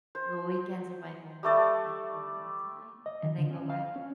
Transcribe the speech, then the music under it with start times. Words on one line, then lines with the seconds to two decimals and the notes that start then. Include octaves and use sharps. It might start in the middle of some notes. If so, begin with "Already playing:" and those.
the weekends are my only, like, alone time, and they go by
0.15 C5
1.43 G3 A3 D5 A5
3.06 D#5
3.23 D#3
3.38 D3
3.51 C#4
3.70 F5
3.96 C#4